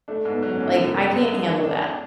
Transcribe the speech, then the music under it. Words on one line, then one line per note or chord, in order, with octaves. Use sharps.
like, "I can't handle that."
A3 D4
G#2
B3
F#3
C#4
G#2
F#2
F#2
F#2
G#3
D4
D4
D4